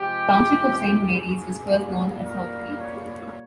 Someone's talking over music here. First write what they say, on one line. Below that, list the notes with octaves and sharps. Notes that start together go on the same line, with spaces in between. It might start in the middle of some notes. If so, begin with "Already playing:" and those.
The township of Saint Marys was first known as South Creek.
Already playing: C3 F3 G#3 G4
G#4
A#2 G3 A#3
A#4
C#5